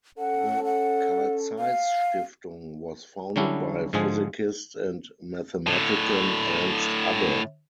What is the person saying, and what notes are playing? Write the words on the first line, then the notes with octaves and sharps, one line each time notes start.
The Carl-Zeiss-Stiftung was founded by physicist and mathematician Ernst Abbe.
C#4 A4 F#5
F#5
F5
D3 F#3 G3 C#4 D4 E4
G#2 D3 F3 G#3 G#4
A2 D3